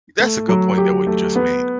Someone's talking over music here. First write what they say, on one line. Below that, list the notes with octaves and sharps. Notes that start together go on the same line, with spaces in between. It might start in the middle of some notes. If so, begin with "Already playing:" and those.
That's a good point that what you just made,
A3
F#3
G4
A3
B3